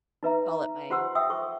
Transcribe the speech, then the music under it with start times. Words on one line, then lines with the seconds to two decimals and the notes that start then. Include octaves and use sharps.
I call it my
0.23 D#4 B4 E5 A#5
0.90 F4 G4 C5 F#5 C6 E6
1.15 E5 G5 D#6 E6
1.30 A4 C5 C#6